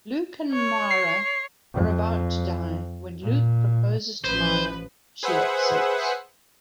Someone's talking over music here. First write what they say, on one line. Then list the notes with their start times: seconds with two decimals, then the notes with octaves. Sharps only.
Luke and Mara are about to die, when Luke proposes to Mara, she accepts.
0.52 C#5
0.90 C7
1.75 F2
3.22 A#2
4.24 A1 F3 B4 C5
5.23 G#4 B4 C5 E5 F#5